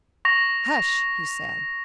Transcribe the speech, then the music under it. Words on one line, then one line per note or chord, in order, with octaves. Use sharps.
"Hush!" he said.
C#6 A#6 F7